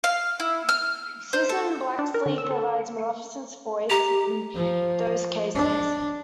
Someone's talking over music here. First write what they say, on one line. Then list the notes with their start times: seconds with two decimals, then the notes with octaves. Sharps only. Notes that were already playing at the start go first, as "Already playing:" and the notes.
Susan Blakeslee provides Maleficent's voice in those cases.
0.04 F5
0.40 E4
0.69 F6
1.33 C5
1.49 A4
1.99 D4
2.14 A#4
2.26 D3
2.38 E6
2.51 A4
3.90 G4 A#5 F7
4.55 F3
5.55 D4